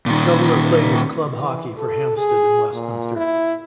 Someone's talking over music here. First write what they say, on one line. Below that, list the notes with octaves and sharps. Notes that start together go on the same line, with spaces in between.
Shoveller played his club hockey for Hampstead and Westminster.
A#2 D#3
E3
A4
G#4
A#2
E4